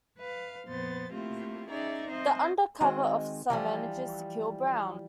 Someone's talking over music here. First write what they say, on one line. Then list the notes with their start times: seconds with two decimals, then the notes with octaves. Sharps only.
The undercover officer manages to kill Brown.
0.18 B4 F5
0.66 F2 A#2 B3 C5 A6
1.13 A3 A#3 C4 E4 F4 G4
1.70 C#4 D#4 G#4 D5 E5 A#5
2.08 C4 C5 D#5 E5
2.81 D#3 G#3 C4 F#4 D#5
3.50 E3 F3 G3